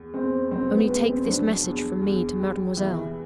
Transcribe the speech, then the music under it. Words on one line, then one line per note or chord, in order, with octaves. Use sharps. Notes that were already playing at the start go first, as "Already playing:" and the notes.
Only take this message from me to mademoiselle.
Already playing: E2
E2 C4
F#3 C4
B3
E2 B3
C4
F#3 D4
E2
E2
G3
E3 E4